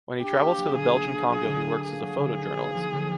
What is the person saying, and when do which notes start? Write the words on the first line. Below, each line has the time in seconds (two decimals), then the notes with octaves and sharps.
When he travels to the Belgian Congo he works as a photojournalist.
0.21 D4 G4
0.40 A#3
0.58 F#3
0.76 D3 G#4
0.94 D4
1.12 A#3
1.30 F#3 G#4
1.48 D3
1.66 D4
1.84 A#3 G#4
2.02 F#3
2.20 D3
2.38 D#4
2.57 A#3
2.75 F3
2.93 D3